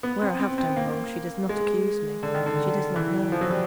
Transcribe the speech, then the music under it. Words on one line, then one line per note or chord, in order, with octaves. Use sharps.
Where I have done wrong, she does not accuse me--she does not know.
B3
C4
C4
C4
A#3
G#3
D3
D#3
D3
E3
F3
F#3
G3